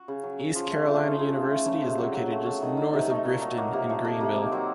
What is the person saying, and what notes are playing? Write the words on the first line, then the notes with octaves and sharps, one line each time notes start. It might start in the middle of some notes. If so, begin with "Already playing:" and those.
East Carolina University is located just north of Grifton in Greenville.
Already playing: F#4
C#3
F#3
F#3
F3
A3 C#4
A3 F4
C#4
F3 D#4
C#3 C#4
A3
A3
C#3
C3
F#3
F#3
A3
A3
D#3
D#3
C3
A3 D#4
A#2
F#3 D#4
F#3 A#3
C3 A#3
A3
A3 A#3
C3 A#3
D#3 A#3
F#3 C4